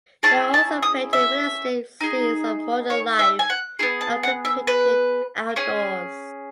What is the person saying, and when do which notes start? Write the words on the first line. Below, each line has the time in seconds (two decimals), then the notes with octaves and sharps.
They also painted realistic scenes of modern life, and often painted outdoors.
0.23 C#4 E4 G#4 A5
0.54 A5
0.82 D#6
1.13 E5
2.01 D#4 G#4
2.90 C#5
3.19 E5
3.39 G#5
3.50 F#5
3.79 B3 E4 G#4
4.01 A5
4.23 F#5
4.45 E5
4.67 B4
5.56 C#4 G#4